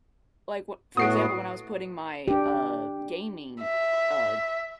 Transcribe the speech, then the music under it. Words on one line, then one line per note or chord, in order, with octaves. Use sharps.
like wh for example, when I was putting my, uh, gaming, uh,
A2 B3 F#4 D#6 C7 D7
D4 G4
E5